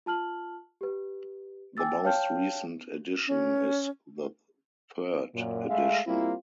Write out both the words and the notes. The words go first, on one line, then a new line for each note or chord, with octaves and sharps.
The most recent edition is the third edition.
F4 A5 F6 F#7
G4 B4
G5 G#5 D6 E6 A6
C#5 F5 G5 A5 F6 G6
C#4
F#2 A#2
G#3 A3 E5 F5
G3 A#3 C4 E4 F4